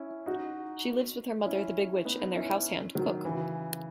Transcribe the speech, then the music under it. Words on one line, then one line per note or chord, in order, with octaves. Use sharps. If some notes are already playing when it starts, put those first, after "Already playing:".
She lives with her mother, the Big Witch, and their house-hand, Cook.
Already playing: C#4 E4
D#4 F#4
C#4 E4
B3 D#4
C#4 E4
D#3 F#3
C#3 E3